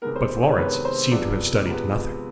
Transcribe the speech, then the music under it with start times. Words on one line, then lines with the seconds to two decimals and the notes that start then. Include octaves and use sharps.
But Florence seemed to have studied nothing.
0.02 C3 D#3 G#3 B3 A#4
0.16 C5
0.43 C#5
0.57 C3 D#3 G#3 B3 B4
0.85 C5
1.11 C3 F3 G#3 B3 D5
1.66 C3 F3 G#3 B3